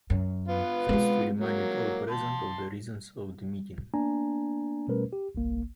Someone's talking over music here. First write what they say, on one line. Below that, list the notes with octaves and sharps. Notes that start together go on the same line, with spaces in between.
First, he reminded all present of the reasons for the meeting.
F#2
B3 F4 B4
G#3 C4
F#3 A#3
A5 C6
A#3 B3 D4 G#5 A#5
B2 G3 A3 C#4 A#4 B4
G4
G1 C2 A#3